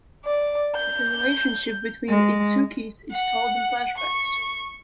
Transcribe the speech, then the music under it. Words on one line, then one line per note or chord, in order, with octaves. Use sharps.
The relationship between the Itsuki-s is told in flashbacks.
D5
G6
G#3
F#5
C#6